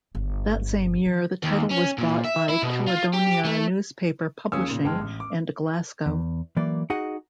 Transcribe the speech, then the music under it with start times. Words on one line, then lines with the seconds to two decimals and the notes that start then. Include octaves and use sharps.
That same year the title was bought by Caledonia Newspaper Publishing and Glasgow.
0.15 G1
1.06 E3
1.44 D#2
1.71 C#4
1.98 A#2
2.24 E5
2.49 E4
2.62 B2
2.87 F4
3.13 G4
3.45 A3
4.52 D#2 C#4 F4 G#4 D#6 E6
4.68 A#2 C#3
4.84 G1 G#3 G5 A5 F6
4.99 A1
5.20 D6
6.06 E2
6.57 E3 F#3 A#3 D5
6.90 D#4 F#4 G#4 D#5 F#5